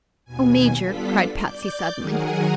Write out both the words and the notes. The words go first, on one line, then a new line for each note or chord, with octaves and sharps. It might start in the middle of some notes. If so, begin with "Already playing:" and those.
"Oh, Major!" cried Patsy, suddenly.
D#2 B2 G#5
G3 B3 D4 F4 A4 B6
D5 D6 G6
D#3 F#3 G#4 A#4 F#5 G#5